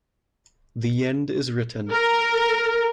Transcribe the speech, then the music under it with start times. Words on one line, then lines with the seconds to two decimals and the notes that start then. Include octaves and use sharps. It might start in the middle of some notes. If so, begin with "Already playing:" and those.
The End Is Written.
1.91 A#4